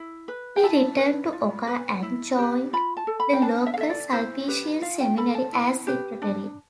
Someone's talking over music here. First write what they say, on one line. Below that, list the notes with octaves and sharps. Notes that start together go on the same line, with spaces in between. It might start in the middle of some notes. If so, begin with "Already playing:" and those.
He returned to Oka and joined the local Sulpician seminary as secretary.
Already playing: E4
B4
G5
E4 A5
B4
F4
B4
E4
G4 B4
F4 B5
A5
A4
B5
G5
D4 A5
E5
F5
A4 E5
D5
E4 C5
G4 B4
F4 F5
G5
A4 B5
A5
E4
G4 B4
D4